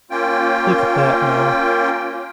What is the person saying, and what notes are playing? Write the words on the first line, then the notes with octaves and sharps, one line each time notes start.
Look at that, now.
A#3 C#4 F4 G5